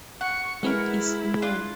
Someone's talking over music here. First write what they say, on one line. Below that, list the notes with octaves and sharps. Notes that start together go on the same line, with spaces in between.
It is slow.
F#5 C#6 C#7
G#3 E4 F#4 G#4 A#4 B4
D4 F4 D5